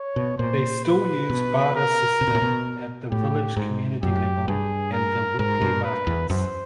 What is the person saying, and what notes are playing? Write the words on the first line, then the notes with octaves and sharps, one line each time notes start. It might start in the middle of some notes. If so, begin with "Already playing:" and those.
They still use barter system at the village community level and the weekly markets.
Already playing: C#5
B2
A#2 C5
B4
B2
A#4
C3
B2
A#2
B2
A2 G4
G#2
F#2 G4
G2 G#4
A#4
G#2 A#4
G2
B4
E2
F#2 C5